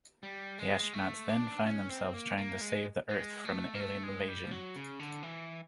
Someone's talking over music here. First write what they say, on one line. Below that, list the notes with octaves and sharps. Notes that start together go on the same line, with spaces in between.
The astronauts then find themselves trying to save the Earth from an alien invasion.
G3
G#3
A3
D4
C#4
C4
A#3
A#3
G#3
G#3
A3
A#3
A3
G#3
G3
F3
F#3
C#3
D3
E3